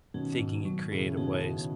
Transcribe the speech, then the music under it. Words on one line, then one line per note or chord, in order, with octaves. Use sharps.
thinking in creative ways.
B2 D#3 C#4
G#2
F#3
A2 C#3 G#4
B2 D#3 C#4